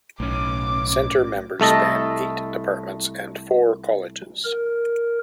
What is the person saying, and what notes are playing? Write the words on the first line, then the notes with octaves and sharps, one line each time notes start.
Center members span eight departments and four colleges.
B1 A2 C#4 D6
C2 A3 A4 D#5
A#4